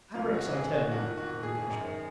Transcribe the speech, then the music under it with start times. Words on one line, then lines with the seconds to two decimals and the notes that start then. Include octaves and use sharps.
'Abreks, I tell you!' said Lukashka.
0.15 F2 C#3 F4
0.34 F#4
0.53 G#4
0.73 F#4
0.91 F2 D#3 F#4
1.17 F#4
1.43 G#4
1.69 F#2 D#3